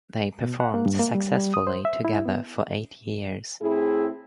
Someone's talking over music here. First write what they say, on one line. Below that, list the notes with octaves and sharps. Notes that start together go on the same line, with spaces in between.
They performed successfully together for eight years.
B2
F#5
A#3
G2
A#3
G3
G3
D#6
C5
E5
E4
B3
A2 C4 E4 G#4